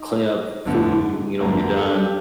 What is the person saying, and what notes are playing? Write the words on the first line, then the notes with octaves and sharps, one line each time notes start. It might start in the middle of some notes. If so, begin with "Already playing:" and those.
clean up f food, you know, when you're done,
Already playing: D#4
G1 F2 D3 A3
G1 F2 D3 A3 A#4
A#4
A4
G4